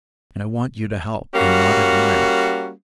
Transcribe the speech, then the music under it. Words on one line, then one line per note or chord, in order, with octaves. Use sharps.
And I want you to help, and not admire.
G3 A#3 C#4 F#4